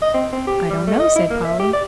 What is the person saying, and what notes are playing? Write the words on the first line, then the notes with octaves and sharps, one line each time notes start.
"I don't know," said Polly.
D#5
C4
C4
G4
G3
A3
D#5
E4
A#3
E5
G4
D5